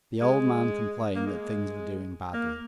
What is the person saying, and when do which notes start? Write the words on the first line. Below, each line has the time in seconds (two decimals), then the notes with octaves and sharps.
The old man complained that things were doing badly.
0.21 G#3
1.16 A#3
1.26 G#3
2.34 A#3